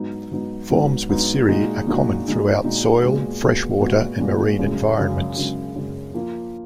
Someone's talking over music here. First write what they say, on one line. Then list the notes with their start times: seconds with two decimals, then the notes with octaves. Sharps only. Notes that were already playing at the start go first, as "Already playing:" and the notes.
Forms with cirri are common throughout soil, freshwater, and marine environments.
Already playing: G#2 F#3 B3 D#4
0.31 G#2 F#3 B3 D#4
0.70 G#2 F#3 B3 D#4
1.09 G#2 F#3 B3 D#4
1.48 A#2 G#3 D#4 F#4
1.87 A#2 G#3 D#4 F#4
2.26 A#2 G#3 D#4 F#4
2.64 A#2 G#3 D#4 F#4
3.03 A#2 G#3 B3 F#4
3.43 A#2 G#3 B3 F#4
3.81 A#2 G#3 B3 F#4
4.20 A#2 G#3 B3 F#4
4.59 F#2 C#3 G#3
4.98 F#2 C#3 G#3
5.37 F#2 C#3 G#3
5.76 F#2 C#3 G#3
6.14 F3 A#3 F4